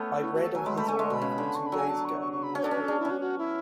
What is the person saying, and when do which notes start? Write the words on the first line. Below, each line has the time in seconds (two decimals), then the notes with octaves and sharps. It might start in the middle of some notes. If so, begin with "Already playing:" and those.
I read of his arrival two days ago in the newspaper.
Already playing: A3 B3 C#4
0.22 E4
0.33 F#4
0.44 A4
0.55 F#3 G#5
0.65 G#3 B5
0.77 A3 B5
0.88 A3 G#5
0.96 G#3 E5
1.05 C#6
1.10 B2 B5
1.22 C#3
1.38 D3
1.55 C#6
1.66 B5
1.72 F#3 G#5
1.89 A5
2.05 C#6
2.21 C#6
2.32 C#6
2.43 B5
2.55 C#4 C#5
2.64 D4 A4
2.71 C#4 B4
2.80 A4
2.88 D4 G#4
2.99 E4
3.05 C#4
3.10 F#4
3.21 F#4
3.38 E4